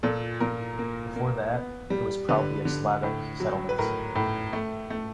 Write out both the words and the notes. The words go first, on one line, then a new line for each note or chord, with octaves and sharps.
Before that, it was probably a Slavic settlement.
A#2 A4
A#2 A#4
A#3
A#3
B3
G3
D3 B4
D3
A2
F#3
B4
A2 A#4
A2
A3
A3